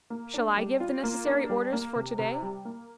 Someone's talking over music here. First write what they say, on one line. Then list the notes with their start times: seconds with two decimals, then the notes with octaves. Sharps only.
Shall I give the necessary orders for to-day?
0.10 A#3
0.34 D4
0.57 G3
0.80 F4
1.03 A#3
1.26 D4
1.49 G3
1.73 A#3
1.96 C3
2.19 C3
2.42 G3
2.65 A#3